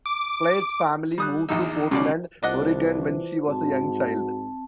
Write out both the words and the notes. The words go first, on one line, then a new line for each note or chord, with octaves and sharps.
Claire's family moved to Portland Oregon when she was a young child.
D6
G3 D#6 F#6
A#1 E2 D#4 E6
C#2 B2 C#4 D5
C2 D4 F4 C5 D#5 F#5
E3
G#2 C4 F#4 A5